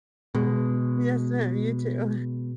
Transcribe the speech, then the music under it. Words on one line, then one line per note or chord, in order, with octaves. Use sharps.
Yes, ma'am. You too.
B2 G#3